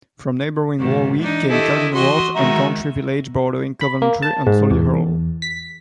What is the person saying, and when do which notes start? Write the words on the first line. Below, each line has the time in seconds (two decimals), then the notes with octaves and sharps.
From neighbouring Warwick came Kenilworth and country villages bordering Coventry and Solihull.
0.78 G#2 B2 D#3
1.19 E3 D4 D#4
1.50 D#3 E4 G4 A4 D#5
1.94 E3 F#4 D#5 C6
2.36 D#3 G#3 F#4 E5 A#5
3.81 B5
4.02 A#3
4.23 A5
4.47 G#2
4.71 E2
5.42 B6